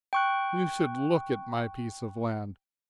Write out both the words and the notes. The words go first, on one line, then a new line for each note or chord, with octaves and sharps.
You should look at my piece of land.
G5 C#6 F#6